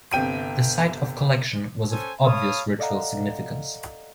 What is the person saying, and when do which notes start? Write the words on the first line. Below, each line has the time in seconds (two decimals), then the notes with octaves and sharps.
The site of collection was of obvious ritual significance.
0.13 G1 C3 G5 D#7
1.91 C#4 A4 C5 G#5
2.25 A4 C#5 F5 B5 D#6
2.79 A4 D5 D#5 F5 F#5 A#5